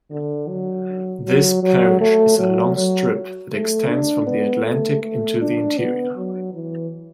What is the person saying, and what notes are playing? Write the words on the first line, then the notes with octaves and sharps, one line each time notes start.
This parish is a long strip that extends from the Atlantic into the interior.
D3
F#3
F#3
F#3
A3
F#3
F#3
A3
D4
B3
A3
A3
D4
B3
F#3
E3